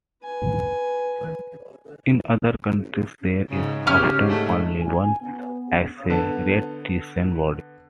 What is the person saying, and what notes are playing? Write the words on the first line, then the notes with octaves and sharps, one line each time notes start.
In other countries there is often only one Accreditation Body.
B4 G#5
G#2 C#3
C#3 C#4 G4 F6
G#2 C#3 A3
G#5
B3
D3 B3 A5